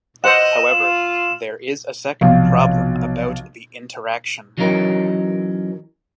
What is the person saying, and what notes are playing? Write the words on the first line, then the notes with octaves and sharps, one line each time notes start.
However, there is a second problem about the interaction.
C5 D#5 F#5 E6 E7
F4
B1 C3 F3 F5
E3 F#3 C#4 D#4 A#4